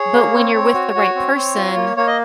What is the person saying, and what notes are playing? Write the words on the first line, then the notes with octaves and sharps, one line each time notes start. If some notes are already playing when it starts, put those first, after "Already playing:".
but when you're with the right person,
Already playing: G#4 C#5
A#3
C4
C4
F#4
F#4
C4
C4
F4
A#3
A#3 C#5
D#5